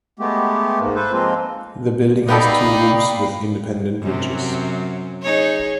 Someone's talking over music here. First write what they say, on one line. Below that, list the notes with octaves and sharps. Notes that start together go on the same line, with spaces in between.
The building has two roofs with independent ridges.
G#3 A3 B3 G4
G#2 A#3
A4 B4 C5
F3 G#3 A#3 C4 F4
B3 D#4 G4 A4 D5 F5 G5 B5
F#2 C3 F#3
D#4 G#4 C#5